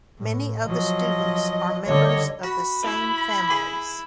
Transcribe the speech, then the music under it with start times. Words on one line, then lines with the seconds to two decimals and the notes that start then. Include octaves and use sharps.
Many of the students are members of the same families.
0.19 A2
0.66 F3 F#3 D#5
1.86 D3 G3 C#5 D#5
2.43 F#4 B5
2.83 E4
3.51 G#4